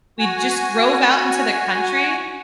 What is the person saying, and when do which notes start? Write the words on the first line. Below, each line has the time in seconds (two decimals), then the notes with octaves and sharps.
we just drove out into the country,
0.19 F#4 G#5